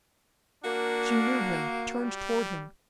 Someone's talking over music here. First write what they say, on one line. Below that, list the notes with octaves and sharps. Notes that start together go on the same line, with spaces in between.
She knew him, turned toward him.
A#3 D4 F#4
G3